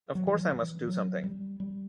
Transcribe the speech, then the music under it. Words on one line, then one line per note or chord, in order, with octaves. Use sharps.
Of course I must do something.
F#3
E3
F#3
E3
F#3
G3
G3